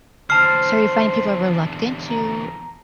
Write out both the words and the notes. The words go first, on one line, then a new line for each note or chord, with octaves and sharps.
So, you're finding people are reluctant to
E2 D3 C5 A5 F6 C7
A#5